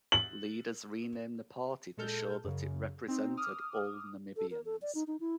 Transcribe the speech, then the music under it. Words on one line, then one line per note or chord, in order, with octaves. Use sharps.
Leaders renamed the party to show that it represented all Namibians.
F#7
A#2 G#3 A4 F6 G6
F#2 C#3
C4 D#4
D6 D#6 F6
A4
A#4
A4
D5
D#4
D#4
E4